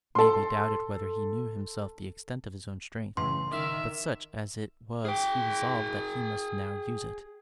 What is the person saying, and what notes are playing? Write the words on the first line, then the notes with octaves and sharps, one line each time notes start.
It may be doubted whether he knew himself the extent of his own strength, but such as it was he resolved that he must now use it.
A4 C6
F#2 A2 C#3 E3 C6
D#3 E5 D6 F6
G#4 G5